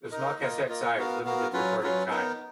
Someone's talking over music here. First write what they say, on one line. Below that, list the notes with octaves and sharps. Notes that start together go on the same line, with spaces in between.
The small cassette size limited recording time.
D#4 A#4 D#5
A#3 F4 A#4 D#5
A#3 F4 A#4 D#5
B3 F#4 A#4 F5
B3 F#4 A#4 F5
F#3 C#4 F4 B4
F#3 C#4 F4 B4
B3 D#4 A#4